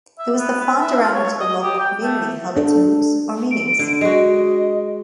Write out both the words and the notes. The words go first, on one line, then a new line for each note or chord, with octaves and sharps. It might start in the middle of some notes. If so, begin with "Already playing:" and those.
It was the font around which the local community held its moots or meetings.
E5
B3
B4
E5
F4
C#5
D#5
G4
G5
A3
D4 A4
D7
D3
G#3 F#4 D#5